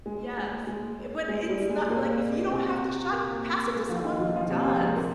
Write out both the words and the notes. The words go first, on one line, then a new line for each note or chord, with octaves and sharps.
Yes. Wh when it's not, like, "If you don't have the shot, pass it to someone who does."
G#3
G#3
G#3
G#3
G3
G#3
A#2 A#3
C3 C4
A#2 A#3
G#3
F3 F4
D#3 D#4
F3 F4
F3 F4
C3 C4
C3 C4
G#3
A#2 A#3